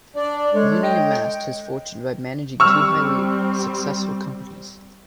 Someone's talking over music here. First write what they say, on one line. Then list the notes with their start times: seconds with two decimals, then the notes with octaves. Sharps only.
Rooney amassed his fortune by managing two highly successful companies.
0.16 D4 D5
0.54 G#3 A4 C#5
0.83 D#5 G5
2.60 G3 C4 C#6 E6 F6